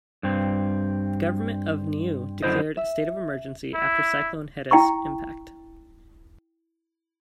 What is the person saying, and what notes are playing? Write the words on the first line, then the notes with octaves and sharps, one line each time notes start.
The government of Niue declared a state of emergency after Cyclone Heta's impact.
G2 C4
F#2 D3 E4 C5 D#5
E5
E4
E4 G5 A#5 C#6